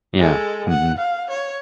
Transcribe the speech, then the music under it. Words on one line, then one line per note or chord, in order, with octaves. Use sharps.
Yeah, mhm.
G#3 A4
F#5
F5
C#5